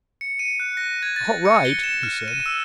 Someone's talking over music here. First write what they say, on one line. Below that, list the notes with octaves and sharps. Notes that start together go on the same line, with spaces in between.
"All right," he said.
C#7
D#7
F#6
A#6
G#6
A6
C#7
G7
E7
F6
D#7
E6